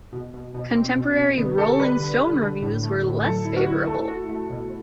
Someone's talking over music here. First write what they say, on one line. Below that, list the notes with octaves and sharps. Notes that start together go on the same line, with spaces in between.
Contemporary "Rolling Stone" reviews were less favorable.
B2
B2
B2
C4
B2
B2
D3 B3
G4 A4
G3 B4
D3
D3
D3
A2
A3
A2
F#3 A4
E4
F#4
E4
A3 A4
F#4
A3
B2